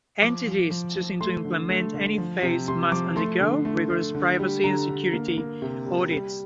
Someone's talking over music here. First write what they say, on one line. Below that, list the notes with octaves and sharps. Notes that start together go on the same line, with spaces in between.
Entities choosing to implement any phase must undergo rigorous privacy and security audits.
F3 D6
F3
F3
F3
A3 C6
D3
A3
D3
F3
C3
C3 C6
F3 D6
A3 C6
D3
A3
A3
D3
G3
D3 A#5
D3
A#3
A#3
C3
G3
G3